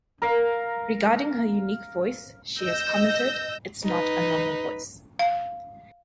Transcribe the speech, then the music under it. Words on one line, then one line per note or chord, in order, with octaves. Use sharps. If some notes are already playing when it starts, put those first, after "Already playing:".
Regarding her unique voice she has commented: It's not a normal voice.
A#4 F5
D#5 E6 G6 A#6
D#4 B4
F5